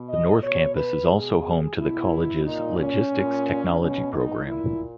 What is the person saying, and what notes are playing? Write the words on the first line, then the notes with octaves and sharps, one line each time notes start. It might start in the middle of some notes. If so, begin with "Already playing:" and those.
The North Campus is also home to the college's logistics technology program.
Already playing: B2
D#5
B2 C#5
B4
B2 G#4
B2 E4
A#2 D#4
C#4
A#2
B2 C#4
D#4
A#2 E4